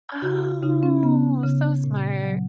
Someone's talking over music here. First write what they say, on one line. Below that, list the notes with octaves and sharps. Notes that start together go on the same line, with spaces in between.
Oh, so smart.
C#3 F#4
C#3 D#4
C#4
C#3 B3
C#3
A#2
F#3